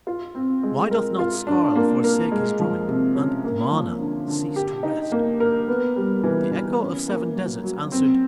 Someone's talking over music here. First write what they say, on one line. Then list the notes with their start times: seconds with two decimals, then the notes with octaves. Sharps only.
Why doth not Skarl forsake his drumming, and MANA cease to rest?" and the echo of seven deserts answered: "Who knows?
0.07 F4
0.35 C4
0.63 G#3
0.91 A#4
1.19 F4
1.47 D4
1.75 A#3
2.04 A#4
2.32 G#3
2.60 F3
2.88 C3
3.15 C#4
3.44 A#3
3.71 F3
4.00 D3
4.28 D3
4.56 G4
4.83 D#4
5.12 A#3
5.40 A#4
5.68 B3
5.96 G3
6.23 E3
6.51 E3
6.80 C#4
7.08 A#3
7.36 F#3
7.64 F#3
7.92 C4